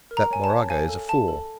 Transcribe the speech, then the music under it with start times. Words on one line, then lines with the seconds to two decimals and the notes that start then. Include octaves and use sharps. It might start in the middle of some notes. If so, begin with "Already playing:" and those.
That Moraga is a fool!
0.11 A#4
0.17 A#5
0.31 C#5 G#5
0.44 A5
0.50 C#5
0.69 F5 G#5
0.89 A4
1.09 F5 A5
1.28 A4